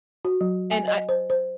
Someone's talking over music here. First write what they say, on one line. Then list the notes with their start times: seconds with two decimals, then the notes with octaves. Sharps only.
And I
0.25 F#4
0.41 F#3
0.71 G#5
0.88 D#5
1.09 C5
1.30 C5